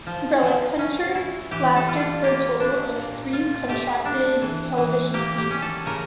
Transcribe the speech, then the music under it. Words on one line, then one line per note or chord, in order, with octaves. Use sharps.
"Relic Hunter" lasted for a total of three contracted television seasons.
F3
F3
C#4
E4
E3 G4
A4
F4
F4
A#3 G4
D4
A#2
F4
A3 G4
D4
E3
E3
A#3 G4
G4
C#4
A4
C#3 A#4